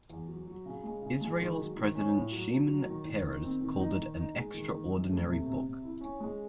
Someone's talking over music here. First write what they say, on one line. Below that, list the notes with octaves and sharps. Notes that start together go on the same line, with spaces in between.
Israel's president Shimon Peres called it "an extraordinary book".
E2
F#3
F#3
C#3
G#3
C#3
G#3
D#3
F#3
D#3
C#4
A2
F#3
F#3
F#3
D#3
D#3
D#3
C4
D#3
D#4
D#3
D#4
G#3
D#3
D#3
F#2
A3
C3
C3
C3
E4
C#4
G#3